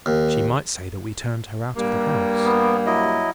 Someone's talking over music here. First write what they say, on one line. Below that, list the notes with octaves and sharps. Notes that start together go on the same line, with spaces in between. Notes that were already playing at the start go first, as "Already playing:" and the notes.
She might say that we turned her out of the house.
D#2
G2 G3 A#3
B3
F#3 E4 D#5